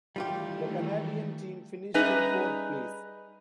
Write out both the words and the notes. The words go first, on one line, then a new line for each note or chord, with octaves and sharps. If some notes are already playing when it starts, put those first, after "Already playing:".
The Canadian team finished in fourth place.
D#3 E3 G3 A3 F4 G4
G3 C#4 D#4 G#4 B4 E5